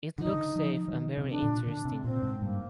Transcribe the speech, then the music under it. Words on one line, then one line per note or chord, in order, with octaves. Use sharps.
It looks safe and very interesting.
D3 D#4
D#3
D3
F3
F3
D#3
C3
D4
A#2
D3 D4
C3
A#2 C4
G#2
G2 A#3